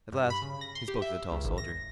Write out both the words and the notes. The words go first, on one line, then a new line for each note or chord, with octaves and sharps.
At last he spoke to the tall soldier.
G2
B5
C#3
A#6
C6
G4
E5
C#2
G#1
A#6